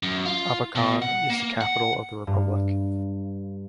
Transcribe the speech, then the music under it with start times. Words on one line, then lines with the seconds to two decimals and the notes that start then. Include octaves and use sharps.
Abakan is the capital of the republic.
0.03 F#2
0.25 F4
0.76 B2
1.02 F#5
1.30 A#3
1.61 F#5
2.27 G2